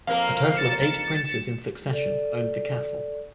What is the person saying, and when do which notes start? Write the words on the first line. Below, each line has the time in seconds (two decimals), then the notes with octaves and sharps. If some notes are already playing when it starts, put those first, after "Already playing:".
A total of eight princes in succession owned the castle.
0.07 F2 A#3 A#4 F5
0.55 A6 C#7 E7
1.90 A4 D5